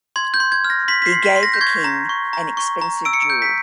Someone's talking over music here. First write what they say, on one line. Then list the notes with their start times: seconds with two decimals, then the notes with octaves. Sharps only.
He gave the king an expensive jewel.
0.16 C6 G#6
0.34 G6
0.40 C6
0.52 G#6
0.64 F6
0.70 A#6
0.88 C6 B6
1.02 B6
1.06 C7
1.12 C6
1.25 B6
1.36 C6
1.43 A#6
1.54 G6
1.61 C#6 G#6
1.84 A#5
2.09 C#6
2.33 A#5
2.57 C#6
2.82 A#5
3.05 E6 D7
3.13 C#7
3.22 D7
3.30 G6
3.42 B6